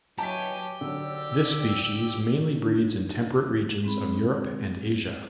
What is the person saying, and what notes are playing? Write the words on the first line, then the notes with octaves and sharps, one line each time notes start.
This species mainly breeds in temperate regions of Europe and Asia.
E3 F#3 G4 C#5 D#5 G#5 A5 B6
D#2 D3 F#3 D5 G5 E6
D4 D#4
G#3 C4 G#4 B5